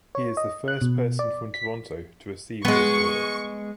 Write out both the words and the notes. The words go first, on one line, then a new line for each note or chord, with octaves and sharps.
He is the first person from Toronto to receive this order.
C#5
D#5
F#6
B2
D5
B6
G#3 B3 C#6